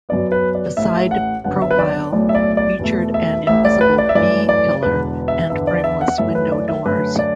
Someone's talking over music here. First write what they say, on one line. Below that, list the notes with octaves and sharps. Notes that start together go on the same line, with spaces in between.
The side profile featured an invisible B-pillar and frameless-window doors.
F#2 F#3 B3 D5
B4
D5
A1 A2 A3 E5
F#5
F#1 F#2 D3 B3 F#5
E5
B4
D5
B1 A2 A3 D5
E5
D5
D5
E2 B2 A3
E5
A1 A2 A3 E5
D5
B4
D5
E5
F#2 E3 A3 D5
D5
E1 E2 D3 B3 B4
E5
E2 D3 B3 E5
D5
E5
F#5
F#2 E3 A3 E5
B4
D5
E5
F#2 D3 A3 B4
D5